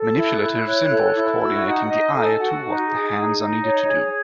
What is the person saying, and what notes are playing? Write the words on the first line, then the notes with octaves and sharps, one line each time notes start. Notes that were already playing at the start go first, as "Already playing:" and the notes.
Manipulatives involve coordinating the eye to what the hands are needed to do.
Already playing: A4
E4
F#6
E4
C#5
A4
E4
F#4 E6
D#4 F#5
D#4 D#5
A4 G#5
F#4 F#5
D#4
G#4
D#4
D#4
C#5
G#4